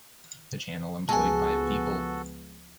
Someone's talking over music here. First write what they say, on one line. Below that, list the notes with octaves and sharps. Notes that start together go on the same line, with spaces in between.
The channel employed five people.
C#2 F3 G#3 B3 F#4 A4 G#5 A5